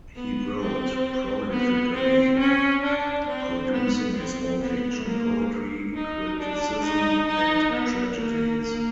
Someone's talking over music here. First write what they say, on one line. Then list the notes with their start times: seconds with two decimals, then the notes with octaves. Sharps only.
He wrote prolifically, producing his own fiction, poetry, criticism, and tragedies.
0.16 B3
0.61 C4
1.50 B3
1.94 C4
2.39 C#4
2.83 D4
3.28 C4
3.72 B3
4.17 C4
4.61 B3
5.06 A#3
5.94 D#4
6.39 D4
6.84 D#4
7.28 D#4
7.73 B3
8.17 A#3
8.61 A#3